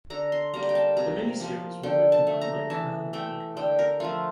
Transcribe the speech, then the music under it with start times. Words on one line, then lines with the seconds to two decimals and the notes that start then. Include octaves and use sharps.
The mini-series was written by Mike Grell and Mike Baron.
0.10 D3 A#5
0.32 C6
0.54 G3 A#3 A#5
0.69 G5
0.75 A5
0.97 C3 A#5
1.40 F3 A#3
1.83 D3 G5
2.12 A5
2.27 A3
2.41 A#5
2.70 E3 A5
3.13 A3 G5
3.57 D3 G5
3.79 A#4
4.00 F3 A3 F4